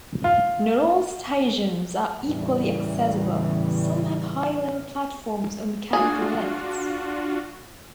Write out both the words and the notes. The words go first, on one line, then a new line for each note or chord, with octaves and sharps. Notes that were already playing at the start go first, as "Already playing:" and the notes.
Not all stations are equally accessible; some have high-level platforms or mechanical lifts.
F4
E2 A2 C#3 E3 G3
D4 F4 F#4 G#4